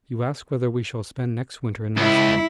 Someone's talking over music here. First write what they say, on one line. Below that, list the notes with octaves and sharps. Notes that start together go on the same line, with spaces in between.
You ask whether we shall spend next winter in Moscow.
C#2 E4